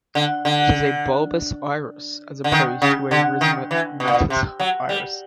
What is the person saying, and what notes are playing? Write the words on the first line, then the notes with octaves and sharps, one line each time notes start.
It is a bulbous iris, as opposed to a rhizomatous iris.
D3
D3
D3
D#3
C#3
D3
D#3
E3
B2
A#2
B2
C3
F#3
G3